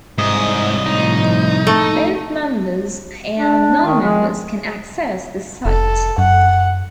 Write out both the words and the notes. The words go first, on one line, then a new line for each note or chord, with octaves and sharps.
Both members and non-members can access the site.
C2 G#2 D#5
A2 F3 D#4
A3
D4
D#3
G#3
F1 A4
F#2 F#5